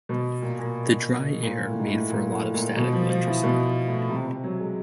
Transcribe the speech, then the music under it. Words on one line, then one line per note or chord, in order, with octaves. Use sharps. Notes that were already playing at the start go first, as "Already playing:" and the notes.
The dry air made for a lot of static electricity.
B2
A#2
A#2
A#2
A2
G#2
A2
A#2
A2
A#2
B2
F3
F3
E3
B2
A2
C3
C3
F#3
G#3